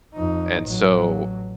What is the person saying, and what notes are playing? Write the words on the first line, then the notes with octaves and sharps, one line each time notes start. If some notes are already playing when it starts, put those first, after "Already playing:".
And so
F2 D#4
A1 F#3